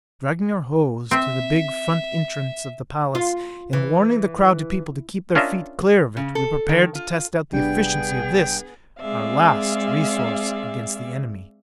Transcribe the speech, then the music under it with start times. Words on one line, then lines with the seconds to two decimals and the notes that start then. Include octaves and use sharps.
Dragging our hose to the big front entrance of the palace, and warning the crowded people to keep their feet clear of it, we prepared to test out the efficiency of this, our last resource against the enemy.
1.11 C4 E5
3.15 F4
3.73 E3
5.35 C#4 D4 F4 A#4 D#5 E5
6.17 C#3
6.35 A4
6.69 D#3
6.95 F4
7.53 G1 C3 G3 B3 D4 G#4 G5
9.01 G#3 C4 G#4 D5 E5 F5